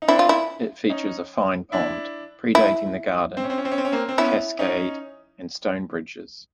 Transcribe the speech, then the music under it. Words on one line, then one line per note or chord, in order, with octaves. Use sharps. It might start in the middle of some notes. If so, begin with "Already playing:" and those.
It features a fine pond predating the garden, with cascade and stone bridges.
D#4
C4 D4 E4
F4
E4
C#4 D#4
D4 E4
E4
C4
C#4
C4
C#4
C4
C#4
C4
C#4
A#3 C4
C4
B3 C#4 E4
C#4 D#4